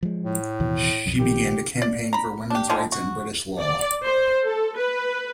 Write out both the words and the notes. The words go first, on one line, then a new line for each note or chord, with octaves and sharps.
She began to campaign for women's rights in British law.
F3 G#3
A2
D#2 B2 E3
B1 F2
A#1 D#3 F3 G4
D5
A#5 B5
D4 G4
D3 D#3 F3 G#3
F#4
D5
C5
A4
B4